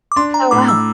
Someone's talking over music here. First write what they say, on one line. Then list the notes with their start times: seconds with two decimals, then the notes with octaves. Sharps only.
Oh, wow.
0.12 D6
0.16 D4 C6
0.34 A#5
0.51 A2 D6
0.68 E6